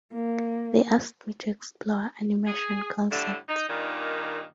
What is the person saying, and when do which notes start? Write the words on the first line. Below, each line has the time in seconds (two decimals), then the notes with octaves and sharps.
They asked me to explore animation concepts.
0.13 A#3
2.46 G#4
3.10 A2 D3 G3 A3
3.49 D#4
3.68 G2 A#2 D#3